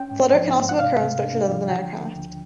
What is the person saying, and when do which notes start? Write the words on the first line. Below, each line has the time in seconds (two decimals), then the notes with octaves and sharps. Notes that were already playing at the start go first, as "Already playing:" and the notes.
Flutter can also occur on structures other than aircraft.
Already playing: C#4 G5
0.11 G#2
0.34 F3
0.57 G#2
0.69 F#5
0.79 C3 F5
1.02 C3
1.24 D4
1.48 F3
1.70 D3 G5
1.93 D3
2.16 D2